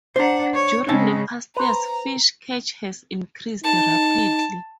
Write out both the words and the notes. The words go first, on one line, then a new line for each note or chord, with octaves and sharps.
During the past years, fish catch has increased rapidly.
D4 C5 F#5 A#5
C#5
C#3 G#3 C4 C#4 A5
B4 C5 A#5
D#4 A5